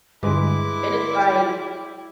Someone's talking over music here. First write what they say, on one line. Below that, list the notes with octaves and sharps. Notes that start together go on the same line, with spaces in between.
and it's, like,
G2 D3 G#3 E4 B4 D6